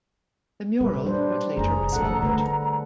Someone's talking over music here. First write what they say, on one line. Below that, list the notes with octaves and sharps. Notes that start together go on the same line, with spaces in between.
The mural was later restored.
A#2 G3 A4 B4
G3 D4 C5
F1 D2 G#4 A#5
D1 F3 A4 F#5
D3 A3 B4